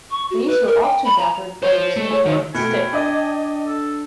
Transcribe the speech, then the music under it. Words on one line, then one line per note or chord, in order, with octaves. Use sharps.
These were often gathered by using a forked stick.
C#6
F#4
B4
A#4
G5
B5
A#5
C5 C#5 F5
A3
G#4 C#5
D#3
B2 A3 E4 G5 G#5 C#7 D7
D4 D5 D#5
A4